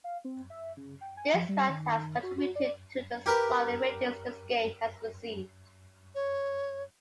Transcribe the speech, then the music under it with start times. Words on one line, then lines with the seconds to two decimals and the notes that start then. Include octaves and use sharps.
This fact has contributed to the solid ratings this game has received.
0.04 F5
0.25 C4
0.50 E5
0.77 C#3
1.01 G5
1.17 G#5
1.34 F3
1.49 G3
1.69 D#3
2.23 F#4
2.38 F#4
2.56 D5
3.26 G4 A#4 B4
6.15 C#5